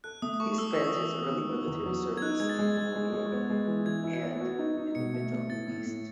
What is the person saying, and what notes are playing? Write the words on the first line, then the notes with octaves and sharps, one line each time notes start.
He spent his early military service in Borneo and in the Middle East.
A4 F#6
A3 D#6
D#6
A4 C#6
A4 E6
D#6
E3 C#6
D#6
E3
B3
D#3
B3
E2
F#3
B3
G#6
D#4 F#6
G#3 G#6
A6
G#3
G#3 A6
G#3
G#3
B3
G#3
E3
E3 G#6
E4
G#6
B3
F#4
D#4
D#4
B2 C#7
A3
A3
A2 A6
A2
A2